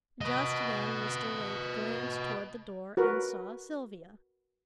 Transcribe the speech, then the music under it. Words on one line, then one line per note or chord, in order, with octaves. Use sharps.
Just then Mr. Waite glanced toward the door and saw Sylvia.
B4 D#5
F#4 A#4 B4